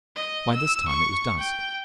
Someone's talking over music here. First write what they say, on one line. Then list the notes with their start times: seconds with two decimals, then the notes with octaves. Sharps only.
By this time it was dusk.
0.16 D#5
0.55 E6
0.88 C#6
1.38 G5